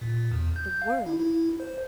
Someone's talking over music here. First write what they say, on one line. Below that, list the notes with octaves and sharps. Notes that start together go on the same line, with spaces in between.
The world!
A#2
E2
G6
F5
E4
E4
C5